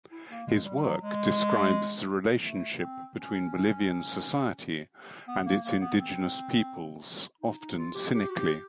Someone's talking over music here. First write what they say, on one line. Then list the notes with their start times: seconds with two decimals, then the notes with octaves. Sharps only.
His work describes the relationship between Bolivian society and its indigenous peoples, often cynically.
0.11 E4
0.30 A#3
0.47 G#3
0.65 G3
0.75 G3
0.83 F#3
1.01 G#3
2.43 A3
2.78 C4
3.14 C#4
5.27 B3
5.45 A#3
5.63 A#3
5.81 B3
5.99 C4
7.41 D#4
7.59 D#4
7.77 F4
7.95 G4
8.13 G4
8.29 F#4
8.36 G4